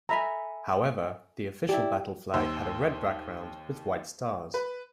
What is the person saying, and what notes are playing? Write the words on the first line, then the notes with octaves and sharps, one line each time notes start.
However, the official battle flag had a red background with white stars.
A4 E5 G#5 A#5 B5
E4 G4 D5
D#2 D#4 C5 E6
B4